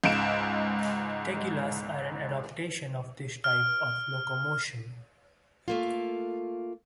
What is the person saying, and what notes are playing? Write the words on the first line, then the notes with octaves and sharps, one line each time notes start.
Tegulaes are an adaptation of this type of locomotion.
C#2 G#2 D7 E7
F6
A3 A#3 F4